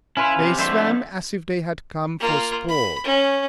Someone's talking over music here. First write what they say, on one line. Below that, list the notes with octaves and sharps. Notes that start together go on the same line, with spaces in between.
They swam as if they had come for sport.
C#4 E4 B4 F5 G#5 C6
C3
F2 D3 E4 E5 C6 G6
A#3 F4
B5
C#4